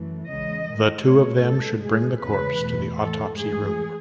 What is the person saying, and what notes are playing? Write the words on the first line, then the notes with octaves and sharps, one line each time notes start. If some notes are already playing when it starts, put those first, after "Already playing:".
The two of them should bring the corpse to the autopsy room.
Already playing: F#2 E3 A3
E2 C#3 G#3 D#5
G#2 D#3 G#3
B2 A3 C#5
A2 G#3 A4
A2 G#3 G#4
E2 C#3 E3 G#3 B4
E2 B2 A3
A2 E3 A3 A4
G#2 E3 A3 G#4